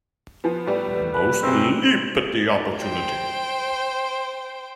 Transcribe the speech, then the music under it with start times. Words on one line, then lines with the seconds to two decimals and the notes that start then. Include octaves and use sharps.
Most leap at the opportunity.
0.44 F3 B3
0.66 A2 G3 B3
1.14 B4
1.43 F#1 C3 C4
2.78 C5 G5